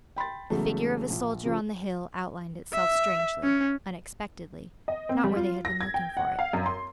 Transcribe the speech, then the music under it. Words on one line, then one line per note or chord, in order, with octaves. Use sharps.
The figure of a soldier on the hill outlined itself strangely, unexpectedly, not where they had been looking for it.
G5 B5 C6 A6
E2 C#3 F#3 G#3 A3
A#1
C#3 F3
E5
C#4
D#5
C4
G3
F4
A#6
G#6
G5
F#5
F5
F#2
C6